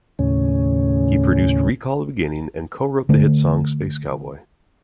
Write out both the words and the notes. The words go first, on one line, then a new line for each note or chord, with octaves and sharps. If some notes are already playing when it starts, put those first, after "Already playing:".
He produced "Recall the Beginning" and co-wrote the hit song "Space Cowboy".
D#2 A2 C#3 C#4
D3 A3